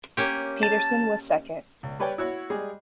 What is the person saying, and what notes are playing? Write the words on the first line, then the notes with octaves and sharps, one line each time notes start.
Peterson was second.
A#3 C#4 G4
A5
C#2
G3 B4 C#5 D5 G5
E4 F#4 C#5
G3 G#3 G#4